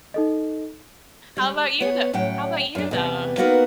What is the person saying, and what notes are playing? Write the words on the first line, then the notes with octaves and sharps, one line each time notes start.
how about you though How about you though?
D#4 A4 D#5
G3 G#3
B3 C#5
A2 F#3 C#4 F#5 G5
F#2 D4
E2 C3 B3
A#3 B3 D#4 F#4 A#4 B4